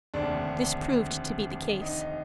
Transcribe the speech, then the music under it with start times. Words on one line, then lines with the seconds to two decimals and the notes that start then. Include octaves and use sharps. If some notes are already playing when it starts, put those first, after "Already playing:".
This proved to be the case.
0.14 F1 D#2 D3 D4
1.82 D#4